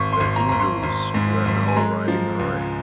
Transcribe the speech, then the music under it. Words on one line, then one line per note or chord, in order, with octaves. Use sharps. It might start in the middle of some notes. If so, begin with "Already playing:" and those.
The Hindus were now riding high.
Already playing: G#1 C#6
C6
G#1
A#5
G#1 A#5
C6
G#1
G#2
G#1
G#5
G#3 A#5
F3
C#2